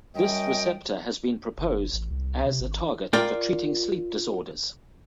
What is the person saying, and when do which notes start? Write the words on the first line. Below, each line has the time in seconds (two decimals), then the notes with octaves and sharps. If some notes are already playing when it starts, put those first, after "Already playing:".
This receptor has been proposed as a target for treating sleep disorders.
0.16 F#2 G3 D#5 G5
1.58 F#1
1.93 A1
2.10 C2
2.46 C3
2.60 G#1
3.13 F4 A#4 D5 G5